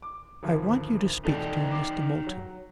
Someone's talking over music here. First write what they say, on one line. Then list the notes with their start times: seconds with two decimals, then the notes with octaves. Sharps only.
'I want you to speak to Mr. Moulton....
0.02 D6
0.43 G#1 D2 F3
1.25 E2 B2 A3 D#4 D5 G5
1.71 D6 C7
2.27 F#3